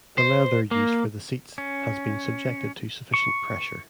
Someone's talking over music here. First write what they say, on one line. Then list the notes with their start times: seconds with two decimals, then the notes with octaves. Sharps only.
The leather used for the seats has been subjected to sufficient pressure.
0.18 C5
0.71 A#3
1.58 C#4
3.14 C#6